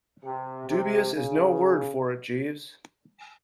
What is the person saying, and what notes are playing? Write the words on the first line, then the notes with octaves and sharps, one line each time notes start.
Dubious is no word for it, Jeeves.
C3
C3
C#3